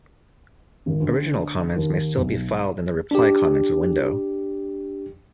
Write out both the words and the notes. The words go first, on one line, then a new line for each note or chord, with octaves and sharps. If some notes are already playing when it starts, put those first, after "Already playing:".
Original comments may still be filed in the reply comments window.
G#1
D2
D#2
B1
D4 G4